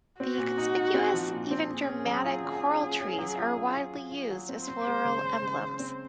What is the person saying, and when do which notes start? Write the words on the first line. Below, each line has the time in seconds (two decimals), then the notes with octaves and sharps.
The conspicuous, even dramatic coral trees are widely used as floral emblems.
0.20 C4 F#4
0.38 A#2
0.58 D#4
0.76 D#4
0.94 C4
1.13 F3
1.31 A#2
1.51 C4
1.69 A#2 G#4
1.87 C#4
2.06 F#3
2.24 F4
2.44 F#3
2.62 C#4
2.81 F4
3.00 C#4
3.18 F#3
3.36 F4
3.55 F4
3.74 F4
3.93 F4
4.11 F4
4.31 F#3
4.49 C4
4.67 C4 C5
4.87 G#3
5.05 C#3
5.23 C#3
5.42 C#3
5.60 C#3
5.79 C4